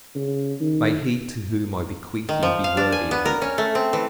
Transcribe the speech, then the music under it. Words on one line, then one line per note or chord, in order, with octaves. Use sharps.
May he to whom I bequeath you be worthy of you!
C#3
D#3
D#3
F3
F5
D4
G#5
B3
A#4
C#4
A3
C4
E3